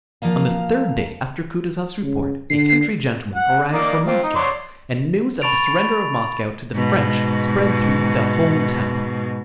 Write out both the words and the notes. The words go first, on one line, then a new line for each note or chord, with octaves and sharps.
On the third day after Kutuzov's report a country gentleman arrived from Moscow, and news of the surrender of Moscow to the French spread through the whole town.
F3 A#3 A#4 F5
C#3
D3 C7
F#5
A#3 D#4 D5
C4 F4
D#4
C#5 D5 C6
A5 B5 C#6 A6 D7 F7
G#2 B2